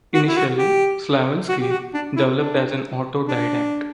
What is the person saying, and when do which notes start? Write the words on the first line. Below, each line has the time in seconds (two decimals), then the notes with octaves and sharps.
Initially Slavenski developed as an autodidact.
0.14 F#4
0.28 E4
0.37 F#4
0.59 G4
1.48 F#4
1.62 G4
1.71 F#4
1.94 D4
2.17 E4
2.39 D4
3.28 D4